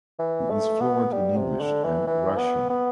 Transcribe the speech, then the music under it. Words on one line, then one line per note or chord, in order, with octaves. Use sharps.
He is fluent in English and Russian.
E3
A3
B3
G3
C3
D3
E3
E3
B3
B3